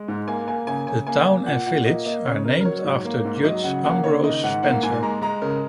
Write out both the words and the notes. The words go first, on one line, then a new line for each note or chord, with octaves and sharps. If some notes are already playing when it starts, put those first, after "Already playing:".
The town and village are named after Judge Ambrose Spencer.
Already playing: G#3
G#2
A#3 G#5
A#3 G#5
C#3 G#5
C#3 G#5
A#3 G#5
A#3 G#5
A#2 F#5
A#2 F#5
A#3 D#5
A#3 D#5
C#3 C#5
C#3 A#4
A#4
F#3 C#5
G#2
A#3
G#2
F#3 D#5
C#3 F#5
A#3 F#5
C#3 C#5
D#3 D#5
G#2 F#5
A#3 F#5
G#2 G#5
G#3 A#5
G#3 A#5
C#3 A#4